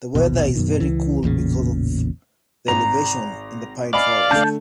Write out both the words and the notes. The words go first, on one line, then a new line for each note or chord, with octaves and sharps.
The weather is very cool because of the elevation and the Pine forests.
A#1 D#2 B2
F#2 B2 D#3
C#2 E3
A1 E2 A#2 C#3
G#1 A#5
D5 D#5 F5 G#5 B5
D3 A3 A5 G6